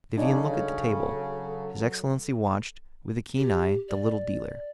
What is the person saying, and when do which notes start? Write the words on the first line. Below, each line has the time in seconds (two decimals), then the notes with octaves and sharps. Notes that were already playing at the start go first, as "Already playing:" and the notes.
Vivian looked at the table; his excellency watched, with a keen eye, the little dealer.
0.17 C#3 F#3 D4 D#4 A4
3.37 G4
3.89 D5